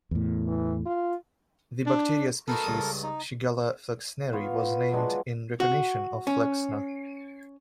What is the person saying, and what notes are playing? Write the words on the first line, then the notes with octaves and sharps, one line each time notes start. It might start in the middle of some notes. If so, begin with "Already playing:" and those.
The bacteria species "Shigella flexneri" was named in recognition of Flexner.
E2 A2
E3
F4
D4
B3 D#4 F#4 A4 A#4
C#2 G2 D#6
D#4
B3 F4 C#5
F3 F#3 G#3 D4
F#4
C#4